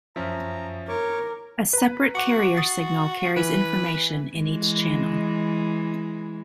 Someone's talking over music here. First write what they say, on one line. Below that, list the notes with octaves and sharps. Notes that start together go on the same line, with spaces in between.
A separate carrier signal carries information in each channel.
F#2 F3 C#4 E5 A#5
A#4 C#5 C#6 D6
B4 A#5
F#4 F#5 D6 C#7
D#6 A6 C7
E3 B4
E3 G#3